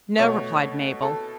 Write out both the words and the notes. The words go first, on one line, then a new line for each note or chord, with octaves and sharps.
"No," replied Mabel.
B2 A3 C#5
A4